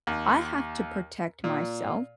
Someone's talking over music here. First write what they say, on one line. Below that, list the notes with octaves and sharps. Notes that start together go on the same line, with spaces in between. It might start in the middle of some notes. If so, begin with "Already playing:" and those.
I have to protect myself.
D#2
A#2